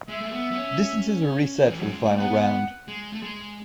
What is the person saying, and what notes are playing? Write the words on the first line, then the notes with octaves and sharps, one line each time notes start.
Distances were reset for the final round.
G#3 E5
A3
B3
B3
C#4
E3
F#3
G#3
A3
B3 F#5
G#3
A3
G#3